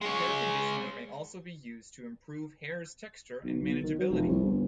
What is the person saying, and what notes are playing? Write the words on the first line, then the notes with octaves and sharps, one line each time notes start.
Hair conditioner may also be used to improve hair's texture and manageability.
G#3 C#5
B1
B1
D#3
F#3
F1
C2
G1